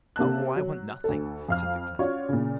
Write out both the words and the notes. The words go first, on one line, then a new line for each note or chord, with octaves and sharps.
"Oh, I want nothing," said the clown.
C3 A#3 A5 F#6
F#3
D2 A4
F2 F5 F6
C#4 F4 F#4 C#5 D5
A#2 C#3